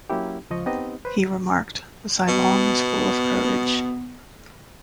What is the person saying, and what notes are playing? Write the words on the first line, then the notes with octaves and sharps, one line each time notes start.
He remarked, Zilong is full of courage.
F#3 A#3 C#4 E4 G4
C#2 F3 D#5 C#6
B3 C4 D#4 G4 D#5
B4 C5
B2 B3